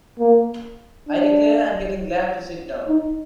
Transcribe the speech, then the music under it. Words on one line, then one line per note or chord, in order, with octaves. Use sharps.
I declare I’m getting glad to sit down.
A#3
D4
D#4